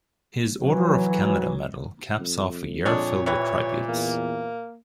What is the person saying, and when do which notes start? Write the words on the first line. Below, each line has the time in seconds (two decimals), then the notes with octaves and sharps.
His Order of Canada medal caps off a year filled with tributes.
0.61 E3 F#3
2.20 F2
2.85 A#2 F#3 G#3 D4 C#5
3.26 C3 E3 C#5
3.88 E2 A#3